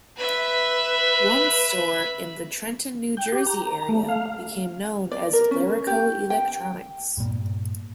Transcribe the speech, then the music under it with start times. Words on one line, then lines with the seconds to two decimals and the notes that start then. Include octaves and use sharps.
One store in the Trenton, New Jersey area became known as "Laraco Electronics".
0.16 B4 E5
3.17 G5
3.32 G4
3.47 A#5
3.89 A3
4.09 F5
5.11 D5
5.33 A#4
5.51 C#4
5.87 G4
6.30 G5
7.17 G2 A#2